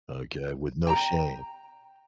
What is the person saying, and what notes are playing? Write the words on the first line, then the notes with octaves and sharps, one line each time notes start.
Okay? With no shame.
G5 A5 A#5